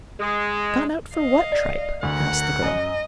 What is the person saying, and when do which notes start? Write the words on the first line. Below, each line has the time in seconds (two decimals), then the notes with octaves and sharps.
"Gone out for what tripe?" asked the girl.
0.20 G#3
1.15 D#5 F5
1.52 D5
2.03 D2 A#4 F#5
2.62 F#2 D#5 A#5